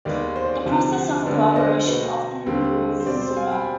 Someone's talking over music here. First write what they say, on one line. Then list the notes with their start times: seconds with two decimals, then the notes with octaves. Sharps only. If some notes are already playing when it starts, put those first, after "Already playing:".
The process of collaboration often improves the work.
0.05 D#2 D#3 G#3 B3 D5
0.36 C5
0.45 D5
0.54 C5
0.66 D2 C3 F3
1.26 D2 D3 G#3 B3 D5
1.50 D5
1.56 C5 D#5
1.86 B2 B3
2.46 D#2 D3 G3 C4
3.00 C5
3.06 B2 G3 C4 D5
3.21 C5
3.37 F5 G#5
3.51 G5 B5